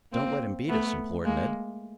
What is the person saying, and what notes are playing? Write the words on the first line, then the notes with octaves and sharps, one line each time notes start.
"Don't let him beat us," implored Ned.
A#3 C4
A3 B3
G#3 A#3